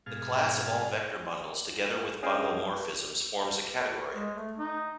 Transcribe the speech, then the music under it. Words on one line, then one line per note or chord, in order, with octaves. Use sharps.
The class of all vector bundles together with bundle morphisms forms a category.
G#2 B2 G#4 F5 A5 F6
C#4 G#4 D#5 F5 G5 G#5
G#3
A3
D#4